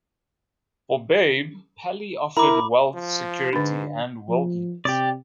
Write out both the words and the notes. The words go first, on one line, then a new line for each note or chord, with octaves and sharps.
For Babe, Paley offered wealth, security, and worldliness.
E4 A#4 A#5 B5 D6
F3
G#2 D3 D4
F3
C3 G4 D5